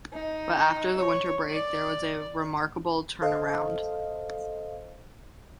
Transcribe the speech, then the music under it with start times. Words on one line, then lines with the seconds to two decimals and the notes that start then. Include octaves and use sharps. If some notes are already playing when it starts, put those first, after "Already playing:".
But after the winter break, there was a remarkable turnaround.
0.12 D#4
0.97 C#5
1.50 D5
3.22 A4 C5 D#5 F5